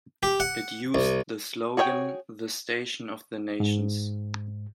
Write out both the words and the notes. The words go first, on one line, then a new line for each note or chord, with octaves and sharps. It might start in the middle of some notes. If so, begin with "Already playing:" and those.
It used the slogan The Station of the Nations.
G4
F#5
C2
F#4 G#4 C#5 D#5 G5
G#2